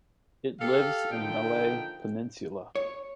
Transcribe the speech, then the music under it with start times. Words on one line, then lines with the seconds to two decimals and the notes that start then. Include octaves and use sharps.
It lives in Malay Peninsula.
0.60 G4 A4 F5
1.12 A#2 D3 F3 D#4 G5
2.75 C#5